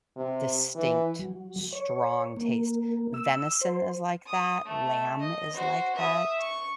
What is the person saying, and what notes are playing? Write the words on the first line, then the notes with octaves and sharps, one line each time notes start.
distinct, strong taste. Venison is like that, lamb is like that.
C3
E3
F#3
C#5
A#3
E6
C5
D#6
A3
D#5
F#4 C5
E5 D#6
C#6